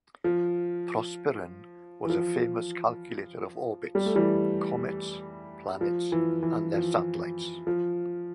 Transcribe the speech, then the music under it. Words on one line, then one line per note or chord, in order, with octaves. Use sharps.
Prosperin was a famous calculator of orbits: comets, planets, and their satellites.
F3
E3
F3
G3
A3
E3 G3
F3
E3
E3
F3
F3